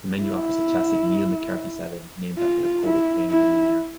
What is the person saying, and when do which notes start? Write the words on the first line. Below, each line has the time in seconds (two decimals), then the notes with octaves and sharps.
The menu offers a classic Neil McCarthy salad, named after the polo-playing millionaire.
0.21 E4
2.38 F4
2.84 E4
3.30 E4